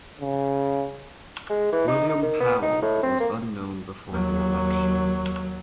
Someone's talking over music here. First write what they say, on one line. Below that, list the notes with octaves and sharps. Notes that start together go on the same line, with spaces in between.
William Powell who was unknown before the election.
C#3
G#3
E3
D#4
D#4
D#3
B3
D#4
A2
C4
A#3
D#2 F#3